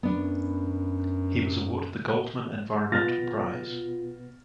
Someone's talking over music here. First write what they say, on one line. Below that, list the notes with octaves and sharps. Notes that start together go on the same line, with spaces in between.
He was awarded the Goldman Environmental Prize.
F#2 B3 D4
B2 B3 F4 B4 F6 A6 A#6